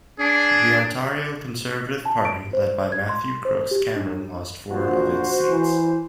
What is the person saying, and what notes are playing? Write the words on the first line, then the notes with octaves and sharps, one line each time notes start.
The Ontario Conservative Party, led by Matthew Crooks Cameron lost four of its seats.
D4 G#4
A5
D7
C5
G#6
C6
C5
G4
D4
A#1 F#4 C5
E3